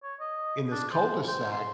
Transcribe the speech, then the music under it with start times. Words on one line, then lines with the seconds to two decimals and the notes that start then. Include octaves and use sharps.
in this cul de sac,
0.03 C#5
0.20 D#5
0.72 D4
0.92 C5
1.28 C5
1.52 C6